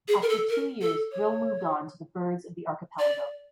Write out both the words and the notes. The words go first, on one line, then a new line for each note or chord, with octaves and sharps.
After two years Grill moved on to the birds of the archipelago.
G#4
A#4
A4
A#4
A4
C#5
D5